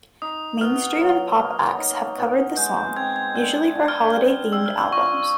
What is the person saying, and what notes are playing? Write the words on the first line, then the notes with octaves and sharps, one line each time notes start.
Mainstream and pop acts have covered the song, usually for holiday-themed albums.
D#4 D#6
B2 F6
F#3
A#3
D#4
B2
G#3 G6
G6
C4 G#6
G#6
D3 G6
D3
F6
G3 F6
C4 E6
F6
E6
F4 C#6